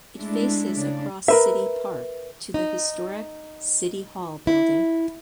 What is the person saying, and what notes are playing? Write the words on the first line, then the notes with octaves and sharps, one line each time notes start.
It faces across City Park to the historic City Hall building.
G#3 A3 D4 E4
C#3 D4
A#4 B4 E5
D#4
E4